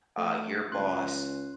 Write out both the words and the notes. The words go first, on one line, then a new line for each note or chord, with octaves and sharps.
uh, your boss,
A3
C#2 C6 F#6